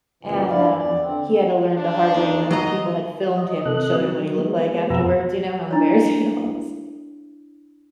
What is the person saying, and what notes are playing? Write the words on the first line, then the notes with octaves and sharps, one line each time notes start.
and, um, he had to learn the hard way when people had filmed him and showed him what he looked like afterwards, you know how embarrassing it was.
F#2 A#2 C#3 E3
G2 E4 D5 F5
E2 D5
D3 C4
D4
E2 D#3
F#3 D#5 A#5
D#5
C3 A4 D#5 F#6
F#3
G#3 B3
F2 B2 F#4 B4 A#5 E6
D4 E4 C#5